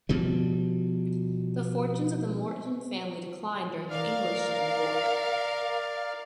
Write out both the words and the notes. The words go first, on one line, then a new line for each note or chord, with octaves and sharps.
The fortunes of the Moreton family declined during the English Civil War.
B2 F3 G3
A#4 D5 F5 F6